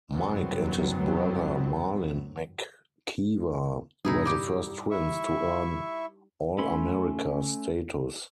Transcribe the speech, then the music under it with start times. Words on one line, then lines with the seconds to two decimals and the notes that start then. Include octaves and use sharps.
Mike and his brother Marlin McKeever were the first twins to earn All-America status.
0.12 G1 C2 F#2 F#3 B3 C4
4.05 G2 B2 D#4 E4 G#4
4.25 G3 G4
4.91 E4 E5 C#6
6.58 A3 C#4 B5 C6